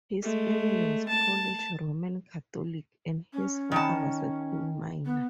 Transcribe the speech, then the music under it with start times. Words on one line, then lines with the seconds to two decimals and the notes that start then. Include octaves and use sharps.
His family was Polish Roman Catholic, and his father was a coal miner.
0.22 G#3 A3
1.08 A5
3.33 C#4
3.72 D#3 A5
5.05 B3